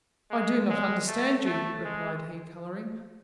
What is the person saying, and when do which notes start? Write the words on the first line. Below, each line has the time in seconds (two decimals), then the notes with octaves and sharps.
"I do not understand you," replied he, colouring.
0.31 G#3
0.70 G#3
1.08 A3
1.46 A3
1.85 G#3